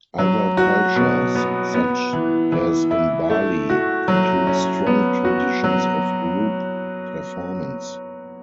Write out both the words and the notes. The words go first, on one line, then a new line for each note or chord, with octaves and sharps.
Other cultures, such as in Bali, include strong traditions of group performance.
F#3
F#4
B2
B3
B3
E3
E3
E4
A3
F#4
F#3
C#4
B3
F#4
F#3